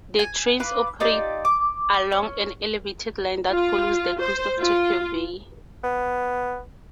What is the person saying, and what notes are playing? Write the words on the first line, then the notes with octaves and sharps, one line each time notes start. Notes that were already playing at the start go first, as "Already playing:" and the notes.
The trains operate along an elevated line that follows the coast of Tokyo Bay.
G#5
B4 F5 B5 D6
D#4 F4 G4 D5
D6
C#4
F4
C5
F4
B3